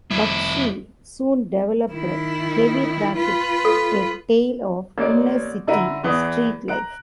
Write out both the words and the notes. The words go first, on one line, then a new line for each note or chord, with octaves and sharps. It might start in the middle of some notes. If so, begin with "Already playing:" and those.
Bakshi soon developed "Heavy Traffic", a tale of inner-city street life.
F2 E4
D#3 E4
F4 B4
A4
A1 A#3 D5 D#5 D7
D3 E4 F#5 A#5 D#7
E2 E3 D#6
A#5 F#6 D7